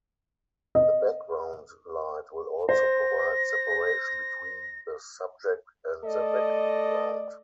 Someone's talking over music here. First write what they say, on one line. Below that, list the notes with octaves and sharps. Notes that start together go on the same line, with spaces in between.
The background light will also provide separation between the subject and the background.
D#5
C5 A#6
A3 A4 D5 D#5